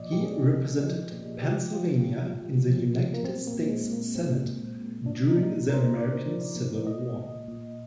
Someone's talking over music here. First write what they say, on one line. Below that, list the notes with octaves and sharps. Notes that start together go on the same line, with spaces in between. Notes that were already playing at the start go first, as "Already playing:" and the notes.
He represented Pennsylvania in the United States Senate during the American Civil War.
Already playing: A#2 F3 D5 D#5
G4
A#2 G#4
A#2
F3
A#2
F3 G4
F3 F4
A#2
A#2
F3
F3
A#3
A#2 C4
A#3
A#2
G#3
A#2
A#3
A#2 C4
A#2
A#2
A#2 D4
D#4
A#2 D4
D#4
A#2 A#4
C5
A#2 D5
F3
D5
A#2
A#2 D#5
A#2
A#2